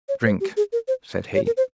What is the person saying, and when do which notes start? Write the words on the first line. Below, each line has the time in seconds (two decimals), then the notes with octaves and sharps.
"Drink!" said he.
0.09 C#5
0.26 C5
0.40 G4
0.57 G#4
0.73 A#4
0.88 C5
1.35 C#5
1.46 A#4
1.57 C5